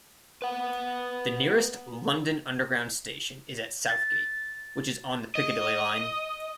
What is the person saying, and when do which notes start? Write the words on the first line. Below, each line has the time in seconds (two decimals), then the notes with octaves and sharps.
The nearest London Underground station is at Southgate, which is on the Piccadilly line.
0.42 B4 F#5
3.90 A6
5.35 D#5